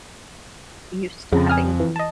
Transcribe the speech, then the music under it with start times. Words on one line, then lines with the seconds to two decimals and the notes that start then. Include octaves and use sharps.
used to having
1.32 F2 C#3
1.50 G#5 D#6 F6
1.80 E3
1.96 D#5 A5